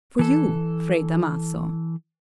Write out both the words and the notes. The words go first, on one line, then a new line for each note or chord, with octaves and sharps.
"For you, Fray Damaso."
E3 A4